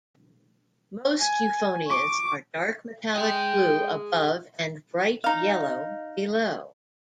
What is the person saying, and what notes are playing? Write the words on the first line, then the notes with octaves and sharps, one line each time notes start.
Most euphonias are dark metallic blue above and bright yellow below.
G#5
C#6 D6
G#4 D#5 G5
D#4 F5